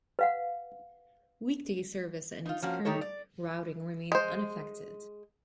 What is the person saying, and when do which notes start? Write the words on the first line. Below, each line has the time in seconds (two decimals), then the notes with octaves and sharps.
Weekday service and its current routing remained unaffected.
0.19 B4 F5 F#5
2.46 D#4 F4
2.63 F3 A#3 C#4 F#4
2.85 D#3 D#4 G4 A4 C#5
3.01 D5
4.12 G#3 C5